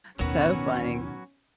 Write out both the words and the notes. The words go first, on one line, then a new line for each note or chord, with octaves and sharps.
so funny.
A1 D#2 B2 D#3 F#3 C#4 F#4 B4